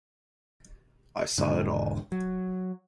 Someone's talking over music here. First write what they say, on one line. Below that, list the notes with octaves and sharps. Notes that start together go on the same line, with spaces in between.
I saw it all.
E1 G#2 D3
F#3